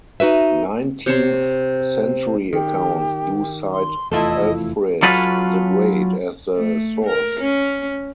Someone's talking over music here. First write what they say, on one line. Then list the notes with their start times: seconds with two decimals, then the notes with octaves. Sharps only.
Nineteenth-century accounts do cite Alfred the Great as the source.
0.20 D#4 F#4 B4 E5
1.06 C3 C#5 A5 C6
2.53 D#3 G4
3.72 C6
4.12 F1 E2 A3 E4 F4 A4 D#5
5.02 F#3 C#4 F4 A4 B4
6.57 A3
7.05 A#4
7.40 C#4